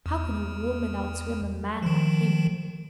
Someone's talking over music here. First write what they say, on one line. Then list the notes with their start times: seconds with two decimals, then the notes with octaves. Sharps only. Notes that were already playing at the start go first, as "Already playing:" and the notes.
How could a woman outswim a man like him?
0.06 E2
1.82 D#3 F3